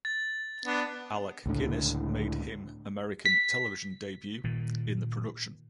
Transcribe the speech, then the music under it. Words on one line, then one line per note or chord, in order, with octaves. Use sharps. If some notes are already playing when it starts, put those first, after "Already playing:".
Alec Guinness made him American television debut in the production.
A6
B3 D4
C#2 A2 D3
B6
A#2 D#3